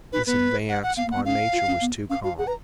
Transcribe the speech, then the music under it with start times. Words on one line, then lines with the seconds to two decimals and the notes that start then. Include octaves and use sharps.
This advance upon Nature was too calm.
0.12 D#4 B4
0.27 B3 B4
0.69 F#5
0.83 F#5
0.97 B3 F5
1.06 A#3
1.11 F#5
1.16 B3
1.25 C#4 F5
1.53 F4
1.67 C#4
1.81 B3
2.10 C#4 F5
2.24 F#4 F5
2.38 G#4 F#5
2.47 B4 A#5